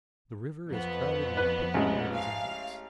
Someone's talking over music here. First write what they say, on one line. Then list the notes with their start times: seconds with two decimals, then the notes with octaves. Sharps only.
The river is crowded with picnic parties in boats.
0.71 F2 B3
1.37 B4
1.74 A1 G#3
2.14 F5